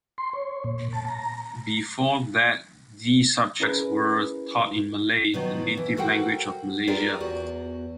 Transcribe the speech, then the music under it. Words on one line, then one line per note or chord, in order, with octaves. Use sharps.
Before that, the subjects were taught in Malay, the native language of Malaysia.
C6
C#5
A#2
A5
A#5
C#4 E4 G#4 A#4 B4
B2 D#3 F3 F#3
E3
F#4 A4 A#4 C5 F#5 G5
F4 G4 G#4 A#4 B4 D5
E2 F#4